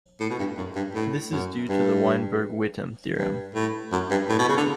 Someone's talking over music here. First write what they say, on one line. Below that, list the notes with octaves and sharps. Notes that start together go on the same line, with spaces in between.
This is due to the Weinberg-Witten theorem.
A2
B2
G2
F#2
G2
A2
F#2
G2
G2
A2
F#2
G2
A2
B2
C#3
D3